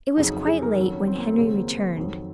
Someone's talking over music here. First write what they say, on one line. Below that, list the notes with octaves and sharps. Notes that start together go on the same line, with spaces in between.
It was quite late when Henry returned.
F2 C#3 F#3 D#4
G#4
A#4
F2 D#3 F#3
C#4
C4
A#3
C4
D#2 C#3 F#3
C4
A#3
C4
F2 D#3 F#3